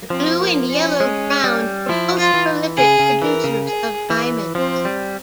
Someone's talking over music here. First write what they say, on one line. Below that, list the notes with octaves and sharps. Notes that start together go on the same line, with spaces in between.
The blue and yellow ground were both prolific producers of diamonds.
F3 C4
A#3
C#4
G#3
G3
F3 E4
F4
E3
C#3 G#4
C#3
E3 A#4
C#3
G#4
E3
F3 C4
G3